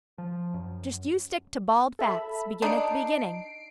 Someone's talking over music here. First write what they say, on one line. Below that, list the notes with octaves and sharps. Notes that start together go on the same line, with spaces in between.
Just you stick to bald facts. Begin at the beginning.
F3
F#2
A4 E5 B5
D4 D#4 C7 D7